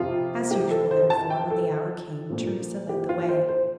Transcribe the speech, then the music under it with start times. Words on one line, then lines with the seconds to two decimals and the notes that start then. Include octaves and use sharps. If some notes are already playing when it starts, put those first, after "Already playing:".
As usual, therefore, when the hour came, Theresa led the way.
Already playing: F2 C3 F3 F4
0.51 G4
0.71 A4
0.91 C5
1.10 A5
1.30 G5
1.50 A4
2.30 A#2 F3
2.89 G4
3.09 F4
3.29 C5
3.49 C5